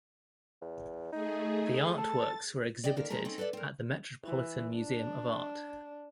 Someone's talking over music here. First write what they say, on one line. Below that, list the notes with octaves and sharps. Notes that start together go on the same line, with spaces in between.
The artworks were exhibited at the Metropolitan Museum of Art.
E2
A3 D#4 G#4
A4 A6
D5 D#5 G5
D#2 D3 A4 A#4 F5
F2 A#2 G#3 A#4 A5
C4 C#4 D#4 A4
A4 B4 C5 D5 E5
C4 A#4
E3
D4